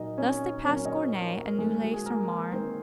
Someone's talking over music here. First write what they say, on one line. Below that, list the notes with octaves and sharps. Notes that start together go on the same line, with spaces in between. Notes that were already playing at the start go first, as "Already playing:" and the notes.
Thus they passed Gournay and Neuilly-sur-Marne.
Already playing: A#2 F#3 A#3 D#4 D#5
C#4 C#5
A#2 F#3 A#3 C#4 C#5
D#5
C#5
C5
A#3 A#4
A#4
D#3 G#3 A#3 G#4
F#4
G#4
A#3 A#4
D#3 A#3 C4 C5